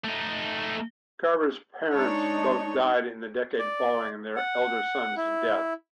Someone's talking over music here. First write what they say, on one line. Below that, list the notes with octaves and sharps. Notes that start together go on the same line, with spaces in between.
Garber's parents both died in the decade following their elder son's death.
A3 D#4
G#3 D4 D#4 C#5 A5 C#6
D5
F#5
E4